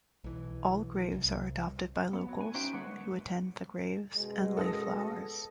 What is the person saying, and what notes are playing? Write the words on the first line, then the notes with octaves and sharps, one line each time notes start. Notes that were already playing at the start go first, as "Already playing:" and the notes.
All graves are adopted by locals, who attend the graves and lay flowers.
B1 E3
C2
B3
F#3
G#5
C#4 D#4 F#4 C5 E5 G5
D3 G3 A#3 B4 C#5 F#5
G#3
F#2 B2 G#3
A4 D#6 A#6